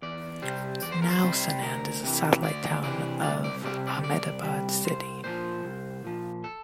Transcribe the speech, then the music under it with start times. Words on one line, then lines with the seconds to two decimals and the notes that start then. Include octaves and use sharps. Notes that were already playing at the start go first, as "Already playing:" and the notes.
Now, Sanand is a satellite town of Ahmedabad city.
0.02 E2 D5
0.42 C3 G3 C5
0.82 E2 D5
0.92 C5
1.02 A#4
1.11 C5
1.22 C3 G3
1.62 D2 A#4
2.03 C3 E3
2.43 D2 D5
2.83 C3 E3 D5
3.23 C2 D5
3.44 D5
3.63 C3 G3 D5
3.87 D5
4.03 C2 D5
4.43 C3 G3
4.84 C2 C5
5.24 A#2 F3 C5
5.64 C2
6.04 A#2 F3
6.44 A4